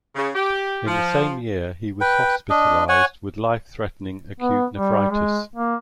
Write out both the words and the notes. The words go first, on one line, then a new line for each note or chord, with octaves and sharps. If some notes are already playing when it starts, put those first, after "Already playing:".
In the same year he was hospitalized with life-threatening acute nephritis.
C#3
G4
F3
B4 G5
D4 D#5
C#5 F#5 G#5
B3
G3
G#3
A#3